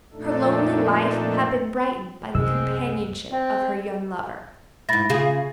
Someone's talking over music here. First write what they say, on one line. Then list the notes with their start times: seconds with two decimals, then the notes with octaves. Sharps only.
Her lonely life had been brightened by the companionship of her young lover.
0.13 F2 A#2 A3 D4 D#4 A4
2.35 C2 F#2 C3 G#3 C4 E6
3.32 C4
4.89 G#2 E4 B5 A6 A#6
5.10 C#3 F4 G#4